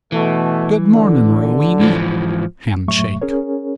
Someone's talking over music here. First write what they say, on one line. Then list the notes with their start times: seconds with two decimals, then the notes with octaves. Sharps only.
"Good mornin', Roweny"--handshake.
0.12 B2 E3 A3
0.93 A1 D3
1.80 G#2 E3 F3
2.88 F#2 A2 F#3 A3 E5 C#6
3.22 C#4 G#4 A#4 C#5